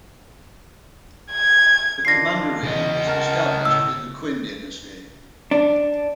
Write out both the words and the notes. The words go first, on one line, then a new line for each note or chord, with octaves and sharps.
The commandery was established in the Qin dynasty.
G#6
D#3 D4 F4 A#6 C7
E2 C#3 D#5
A#4 F#5 A5
A2 E6
D4